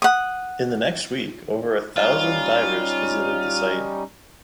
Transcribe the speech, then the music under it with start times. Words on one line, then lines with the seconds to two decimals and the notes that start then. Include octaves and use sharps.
In the next week, over a thousand divers visited the site.
0.02 F#5 D#6
1.97 G3 C#4 D#4 F4 F6